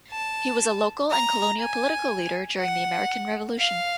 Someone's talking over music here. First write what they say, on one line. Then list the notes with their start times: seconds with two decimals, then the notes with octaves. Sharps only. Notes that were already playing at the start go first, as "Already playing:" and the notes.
He was a local and colonial political leader during the American Revolution.
0.11 A5
1.11 A#5
1.60 G#5
2.60 F#5
3.59 F5